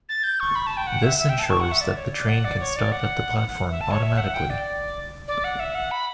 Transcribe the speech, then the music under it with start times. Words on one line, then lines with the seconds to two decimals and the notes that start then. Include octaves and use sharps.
This ensures that the train can stop at the platform automatically.
0.09 A6
0.24 G6
0.40 C#6
0.55 B5
0.67 A5
0.77 G5
0.87 F#5
1.03 E5
1.19 E5
1.29 G5
1.39 A5
1.50 C#6
1.60 F#5
1.72 E5
1.81 D5
1.97 C#5
2.12 D5
2.29 F#5
2.45 D5
2.60 C#5
2.76 D5
2.92 F#5
3.70 E5
3.81 A5
3.91 C#5
4.02 E5
4.18 F#5
4.34 G5
4.50 D5
5.28 D5
5.44 F#5
5.59 E5
5.75 F#5
5.91 B5